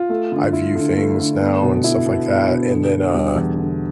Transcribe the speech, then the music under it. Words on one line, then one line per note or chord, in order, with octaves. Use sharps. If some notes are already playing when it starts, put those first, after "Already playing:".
I view things now and stuff like that, and then, uh,
Already playing: F4
A3
D3
E4
D3
A3
D3
B3
B2
E4
B2
B3
B2
D3
B3
G3
E2
D3